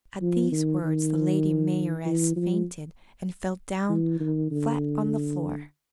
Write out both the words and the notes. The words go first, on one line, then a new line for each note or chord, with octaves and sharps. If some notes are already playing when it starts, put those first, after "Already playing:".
At these words the Lady Mayoress fainted and fell down flat on the floor.
F3
D#3
D#3
E3
F3
E3
D#3
D3